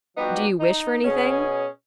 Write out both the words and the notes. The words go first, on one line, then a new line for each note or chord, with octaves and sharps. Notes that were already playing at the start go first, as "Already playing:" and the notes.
"Do you wish for anything?"
F3 G3 B3 D#4 F#4 G4
D#4
B2 C#4 G#4